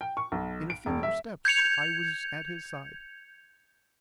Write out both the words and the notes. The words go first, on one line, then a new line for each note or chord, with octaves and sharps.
In a few more steps I was at his side.
G5
C#6
B1
D7
E1
E5
G6 G#6 C#7 F7